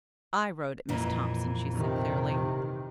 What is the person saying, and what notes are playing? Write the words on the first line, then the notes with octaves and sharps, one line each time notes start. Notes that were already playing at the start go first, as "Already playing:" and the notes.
"I wrote it, Miss Thompson," she said clearly.
F2 A#2 E3
C3 D#3